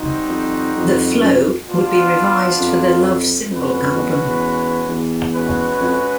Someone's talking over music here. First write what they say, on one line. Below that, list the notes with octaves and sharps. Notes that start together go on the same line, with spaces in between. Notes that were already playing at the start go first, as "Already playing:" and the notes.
"The Flow" would be revised for the "Love Symbol Album".
Already playing: G3 C4 D#4 F#4
F2
F2
F#2
F2
B3 D4 F4
F2
F2 G#3 C#4 F#4 B4
F2
E2
E2
E2
G#3 C#4 F#4 B4
F2